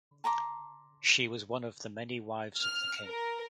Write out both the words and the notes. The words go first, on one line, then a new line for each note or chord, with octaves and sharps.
She was one of the many wives of the king.
A5 A#5 C6 D6
F6
A#4